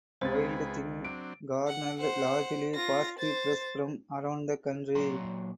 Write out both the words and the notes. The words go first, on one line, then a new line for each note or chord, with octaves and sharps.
Wild Thing garnered largely positive press from around the country.
C#2 C4 G#4 B4 C5 A6
F#3 C4 D4 D7
F#5
C5 F#5
F4 A#6
C5 A6
A#2 F#3 A#5 C6